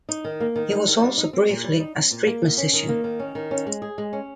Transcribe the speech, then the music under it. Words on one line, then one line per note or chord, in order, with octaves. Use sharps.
He was also, briefly, a street musician.
D#4
D#3
A#3
D#3
D#4
D#3
G3
D#4
C4
A#2
G3
D#4
C4
A#2
A#3
D#3
C#4
D#3
A#3
D#3
C#4
D#3
C#4
G#3
G#4
G#3
C#4